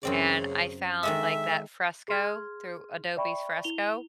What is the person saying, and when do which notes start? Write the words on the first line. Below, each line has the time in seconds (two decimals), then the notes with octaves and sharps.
and I found, like, that Fresco, through Adobe's Fresco,
0.03 F#2 C#3 C4 D5
1.03 D#3 G#3 A4 E5
2.08 G#4 C6 F6 G#6
3.17 D5 E5 G5 B5 C#6
3.64 E4 F7 G7